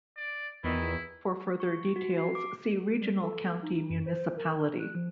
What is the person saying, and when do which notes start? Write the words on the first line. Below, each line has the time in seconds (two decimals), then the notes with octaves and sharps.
For further details, see Regional county municipality.
0.17 D5
0.64 E2 A#2 D#3 E3 E4
1.60 C#6
1.96 F#4
2.18 C7
2.35 D6
3.01 G3
3.23 A4
3.63 D#4
3.90 F#2
4.06 C5
4.37 A#4
4.80 F#6
4.95 F3